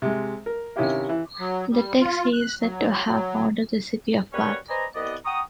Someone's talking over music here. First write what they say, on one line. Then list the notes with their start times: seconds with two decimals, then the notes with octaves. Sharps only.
In the text he is said to have founded the city of Bath.
0.02 C3 G#3
0.46 A#4
0.76 C3 D#3 C#4 E4 G4 F5
1.09 E3
1.39 F#3
1.72 G3
2.01 F4
2.33 F#6
2.61 F#3
3.05 F#3
4.33 G3 A#3 C#4 F#4 B4 C#5
4.69 B4 C5 D5 D#5 G#5 A#5
4.95 C2 B3 D5 D#5
5.25 F#5 G5 A#5 C#6 D#6